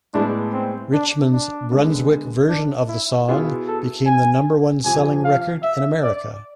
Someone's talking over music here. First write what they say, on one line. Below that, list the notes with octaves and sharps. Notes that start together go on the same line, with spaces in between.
Richman's Brunswick version of the song became the number-one selling record in America.
A2 G#3 B3 D4 E4
C4
D4
D4
D3 G#3 B3
D4
E4
B2 B3 E4 F4 G#4
A4
G#5
F2 C3 F3 G#5
F5
E5
D5